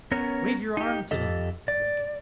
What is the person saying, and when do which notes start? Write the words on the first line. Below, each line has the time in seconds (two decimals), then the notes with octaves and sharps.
"Wave your arm to them," said Lincoln.
0.11 B3 C#4 A#4 C#5
0.77 D#4 G4
1.11 F2 G4 A4 D#5
1.68 D5